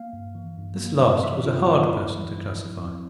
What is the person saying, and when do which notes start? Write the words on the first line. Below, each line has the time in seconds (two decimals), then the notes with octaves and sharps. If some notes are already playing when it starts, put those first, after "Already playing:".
This last was a hard person to classify.
Already playing: A#3 F5
0.13 G2
0.35 E3
0.57 G2
0.80 A#3
1.02 G2
1.23 E3 E5
1.45 G2 F4
1.67 A#3 F4
1.89 G2 E4
2.11 E3
2.33 G2
2.55 F3
2.78 C4